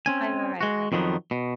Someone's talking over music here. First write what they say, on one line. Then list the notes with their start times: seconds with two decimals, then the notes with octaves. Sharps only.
I know, right, right.
0.06 C4 C#4 G#5
0.61 G#3 F#4
0.92 F2 D#3 F3 F#3 B3
1.31 B2